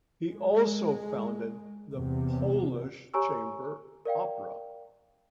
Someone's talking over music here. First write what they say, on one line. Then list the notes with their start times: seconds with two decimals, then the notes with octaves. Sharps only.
He also founded the Polish Chamber Opera.
0.29 G#3
1.91 E2 C3
3.14 G4 C#5 G#5 A#5 C#6 E6
4.05 A#4 D5 F5 G5